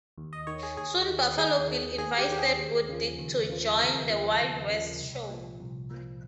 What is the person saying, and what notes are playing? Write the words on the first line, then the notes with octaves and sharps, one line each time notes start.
Soon Buffalo Bill invites Deadwood Dick to join the Wild West Show.
D#2
D#5
D#3 C#5
G#4
D#2 G#4
D#3
D#2 G#4
D#3
D#2 G#4
G4
D#3 G4
G#4
D#2
C#3 F3
D#2
C#3 F3
D#2 A#4
C#3 F3
D#2
C#3 F3
C2
A#2 F3
C2
A#2 F3